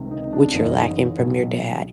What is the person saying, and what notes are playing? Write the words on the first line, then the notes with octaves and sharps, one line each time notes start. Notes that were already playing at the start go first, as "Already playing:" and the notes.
what you're lacking from your dad."
Already playing: C#2 C3 D#3
D#4
D4
F#1 E2 C#3 E3 D#4
B1 B2